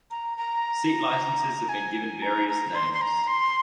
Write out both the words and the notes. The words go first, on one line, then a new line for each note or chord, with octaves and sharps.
Seat licenses have been given various names.
A#5
A#5
G#5
A#5
A#5
C6
C6
A#5
C6